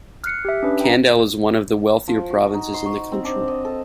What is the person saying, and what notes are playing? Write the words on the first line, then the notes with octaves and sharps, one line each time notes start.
Kandal is one of the wealthier provinces in the country.
F6 F#6 C7 C#7
G4 E5
C#4 D4 B4
G5 A#5
F3
F#4
D#4
C6
C#6
C4
D4
D#5
A4